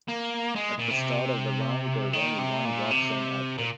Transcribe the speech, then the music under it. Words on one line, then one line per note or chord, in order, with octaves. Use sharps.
At the start of the round there is only one drop zone active.
A#3
G#3
A#2
C3
D#3
C3
A#2
C3
A#2